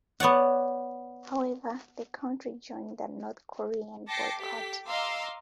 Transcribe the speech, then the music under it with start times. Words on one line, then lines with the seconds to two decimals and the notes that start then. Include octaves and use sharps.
However, the country joined the North Korean boycott.
0.20 B3 C#5 D5 F#5
4.08 G5 A5 D6 A#6 C7 C#7
4.39 G4 A4 B6
4.88 D#5 F5 A#5 C6 D6 E6